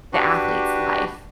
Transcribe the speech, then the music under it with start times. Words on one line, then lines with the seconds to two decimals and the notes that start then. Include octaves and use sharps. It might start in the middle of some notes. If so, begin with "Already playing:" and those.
the athlete's life.
0.13 D4 F#4 G4 B4